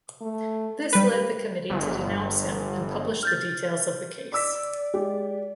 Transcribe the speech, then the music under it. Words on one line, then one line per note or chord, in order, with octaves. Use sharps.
This led the committee to denounce him and publish the details of the case.
A3
G3 B4
G1
F6 G6 A6
D5 D6 E6 B6
G#3 G4